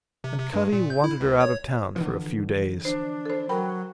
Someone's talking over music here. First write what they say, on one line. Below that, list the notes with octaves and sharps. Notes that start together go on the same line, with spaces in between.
And Cutty wanted her out of town for a few days.
C3
C3
G2
A#2
G6
E4
C#2
C#5
D3 E3 F3
D4 C5
A4 C5
F#3 A#4 G5 B5